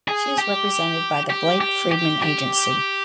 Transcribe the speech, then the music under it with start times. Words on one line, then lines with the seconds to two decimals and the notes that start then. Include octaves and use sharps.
She is represented by the Blake Friedmann agency.
0.08 G#4
0.39 G4
1.30 G4
1.61 G4
1.91 G4
2.23 G4